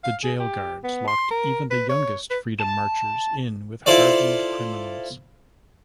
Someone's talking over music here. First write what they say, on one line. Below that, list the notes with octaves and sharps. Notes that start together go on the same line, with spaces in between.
The jail guards locked even the youngest freedom marchers in with hardened criminals.
F5
G#4
G4
B3
C6
A#4
B4
C#5
B4
A5
E4 F4 A4 C5 D5